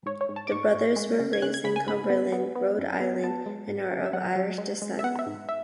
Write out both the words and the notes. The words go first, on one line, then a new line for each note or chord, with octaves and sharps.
The brothers were raised in Cumberland, Rhode Island and are of Irish descent.
G#2 C#5
C#5
G#2
A5
D6
G#2 C#6
G#2
G#3
C#3
G#6
C#3 F#6
G#6
C#3 B5
G#5
G#2 B5
B3
B3
B3
F#2
B3
B3 A5
G#3
G#2
F#3
E5
F#3 F#5
F#3
G#3
G#3
E5
B3 F#5
E5
G#2
E5